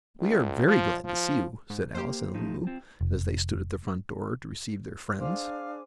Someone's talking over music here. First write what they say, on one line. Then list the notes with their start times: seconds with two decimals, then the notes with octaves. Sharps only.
"We are very glad to see you," said Alice and Lulu, as they stood at the front door to receive their friends.
0.19 C#2
0.67 F3
1.05 F3
1.70 G#2
1.94 A#3 G4 C5
2.34 F3 A3 D#4
2.67 C4 F4
3.01 F1
5.20 D4 G#4 C5 F5 G#5 D6 D7